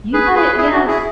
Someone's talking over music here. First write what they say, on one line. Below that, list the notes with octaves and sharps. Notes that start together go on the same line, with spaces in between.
You got yes.
G#4 B4
G#4 B4
E4 G#4
F#4
E4 G#4